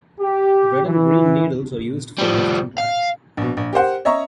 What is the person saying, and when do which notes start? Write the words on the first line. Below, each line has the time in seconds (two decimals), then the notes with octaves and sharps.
Red and green needles are used for left and right.
0.20 G4
0.85 E3
2.19 F3 G3
2.78 F5
3.37 A#1 B2
3.57 A#1
3.73 G4 A#4 C5 F#5
4.05 C#5 D#5 E5 A#5 C#6